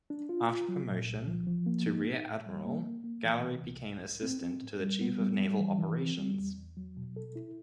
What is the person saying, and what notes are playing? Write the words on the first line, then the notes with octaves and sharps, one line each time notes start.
After promotion to rear admiral, Gallery became Assistant to the Chief of Naval Operations.
D4
F4
F4
F#3
A#2
C2
F3
F3
A#3
D#4
A2
A2
G3
A#3
A#3
A#3
E3
C3
C2
C2
A2
C4
C4
A2
G3
B3
G3
G3
E3
E3
C4
G3
E2
E2
F#3
B2
A4
E4